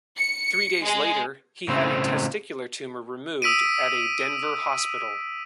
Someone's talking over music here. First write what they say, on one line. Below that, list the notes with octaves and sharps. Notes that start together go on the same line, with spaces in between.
Three days later, he had a testicular tumor removed at a Denver hospital.
C#7
G#3
A2 C#3 C4
D#6 E6 B6 D7 D#7